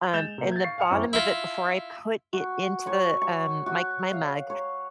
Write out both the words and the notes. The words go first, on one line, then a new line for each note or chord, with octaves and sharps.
Um, in the bottom of it, before I put it into the, um, my c my mug,
G#3 G6 A6 E7 F7
C3 A#3
G#6 A6
F5 C#6 C7
F5 G#5 F6 C#7 F7
F#2 C4 E4 C#6 D6
E4 F4
F#4
C#5
C#6
F#4
F5
C#5